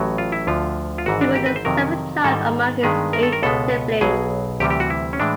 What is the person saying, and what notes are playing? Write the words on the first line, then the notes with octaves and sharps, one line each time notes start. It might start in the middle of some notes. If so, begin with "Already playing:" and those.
He was the seventh child among his eight siblings.
Already playing: A1 A2 F#3
F4
E4
D2 D3 F3 F4
F4
G#1 G#2 E3 F#4
D4
G4
B4
C5
F2 C3 D#3 F#3 A#4
G#2 D#3 G3 A4
G2 D#3 G#3 B3 G#4
A#4
A4
A#4
C#2 B2 G#3 B3 A4
B1 B2 F#3 G#4
D2 C3 E3 G3 G4
G4
F#4
E4
C#4
A2 E3 G#3 D4